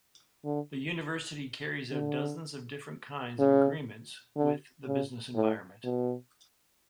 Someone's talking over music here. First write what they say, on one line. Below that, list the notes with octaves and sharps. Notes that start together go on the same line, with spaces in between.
The university carries out dozens of different kinds of agreements with the business environment.
D3
D3
C#3
D3
C#3
A2
B2